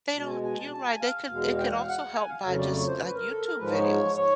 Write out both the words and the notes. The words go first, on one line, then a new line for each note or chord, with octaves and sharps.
They don't you're right. They could It could also help by just, like, YouTube videos.
B2 G#3 A5
G#5
G#5
A5
A5
G#5
F5
E2 B2 G#3
G5
F#5
F5
F#5
G#5
F5
F2 C#3 F#3 A3
D5
C#5
C5
B4
A#4
A4
A#4
G#2 F3 G#3 B4
C#5
C#5